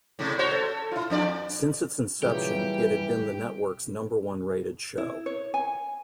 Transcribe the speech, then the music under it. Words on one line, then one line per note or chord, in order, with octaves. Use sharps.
Since its inception, it had been the network's number-one rated show.
A2 C3
F#4 C5 C#5
A4
E4 F4
F2 D4 D5
A#2 C#3 E3 F#3 G3 G4
E4
C#5
G#5